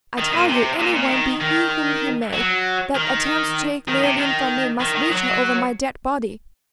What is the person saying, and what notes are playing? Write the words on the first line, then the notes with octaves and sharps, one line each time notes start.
"I tell you any one, be he whom he may, that attempts to take Leoline from me, must reach her over my dead body!"
D#3
A#2
C3
A#2
A#2
D#3
D#3
F#3
D#3
D#3
C3
D#3
D#3
D#3
F#3